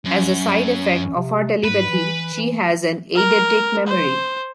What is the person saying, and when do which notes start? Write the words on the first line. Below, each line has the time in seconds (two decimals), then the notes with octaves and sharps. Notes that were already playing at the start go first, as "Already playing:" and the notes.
As a side effect of her telepathy, she has an eidetic memory.
0.05 F#2 C#4
1.15 C3
1.64 G#2 B4
1.89 E3
2.34 E3
3.16 A#4
3.87 C5